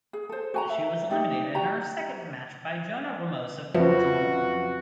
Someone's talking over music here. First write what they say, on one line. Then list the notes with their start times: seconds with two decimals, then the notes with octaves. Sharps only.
She was eliminated in her second match by Joana Ramos of Portugal.
0.13 G#4
0.29 A4 C5
0.54 F#4 G#5 A#5
0.70 E5
1.10 D4 D#4 G4 D5
1.54 F#4 G4 A#5
3.74 F2 C#3 F3 F#3 F4 F#4 B4 E5